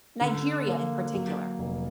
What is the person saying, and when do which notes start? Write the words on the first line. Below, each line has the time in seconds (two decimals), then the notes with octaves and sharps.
Nigeria in particular.
0.21 D3
0.67 A#3
1.14 F#3
1.59 F1